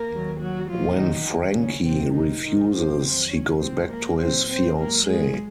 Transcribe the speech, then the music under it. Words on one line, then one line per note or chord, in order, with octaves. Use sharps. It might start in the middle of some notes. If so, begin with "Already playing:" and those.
When Francie refuses, he goes back to his fiancee.
Already playing: A#3 A#4
D#2 D#3 F#3
F#3 F#4
A#2 F3 F#3 F4
D#3 D#4
D#2 D#3 F#3
C#3 C#4
F2 C3 D#3 F#3 C4
D#3 D#4
G#2 D#3 F3 D#4
C4 C5
F2 D#3 F#3
C#4 C#5
G#2 F3 C4 C5
A#3 A#4
A#2 F#3 C4 C5
C4 C5
G#2 F#3 A#3 A#4
G#3 G#4